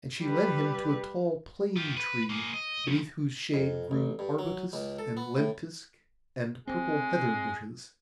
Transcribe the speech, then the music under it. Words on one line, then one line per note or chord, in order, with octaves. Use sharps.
And she led him to a tall plane-tree, beneath whose shade grew arbutus, and lentisk, and purple heather-bushes.
G3 B4
F4 G4
B4
A#3 G#4
D#5
A2 F3
F2
A1
G2
F#3
C#2
A4
B3
A2
G#3 C4